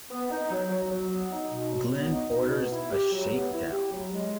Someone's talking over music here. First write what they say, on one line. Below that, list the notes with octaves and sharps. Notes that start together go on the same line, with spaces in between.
Glynn orders a shakedown.
B3
D#4
F#3
F#3
F#3
B3
D#4
B2
F#3
B3
D#4
B2
B3
E4
G4
F#3
B3
E4
G4
F#3
G#3